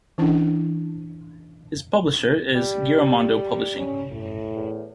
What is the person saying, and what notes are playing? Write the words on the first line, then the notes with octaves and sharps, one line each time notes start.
His publisher is Giramondo Publishing.
E3 C#4 D4 E4
G3
C#4
A2
E2